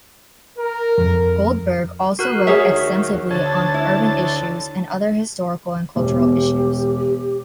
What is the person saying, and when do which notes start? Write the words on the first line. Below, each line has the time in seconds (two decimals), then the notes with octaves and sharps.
Goldberg also wrote extensively on urban issues and other historical and cultural issues.
0.58 A#4
0.98 F2
2.19 F#4 A#4 F#6
2.47 G#4 C#5 E5
2.69 D#2
3.31 D2 C#5 A5
3.74 E4
5.96 E1 G4